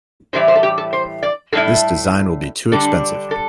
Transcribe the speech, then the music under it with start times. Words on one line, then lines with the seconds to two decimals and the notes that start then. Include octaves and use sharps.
This design will be too expensive.
0.33 A2 E3 G3 E4 C5
0.48 C5
0.55 A4
0.63 G4
0.78 A4
0.93 C5
1.23 D5
1.52 A2 G3 E4 A4
2.72 D3 G3 D4 A4
3.31 A4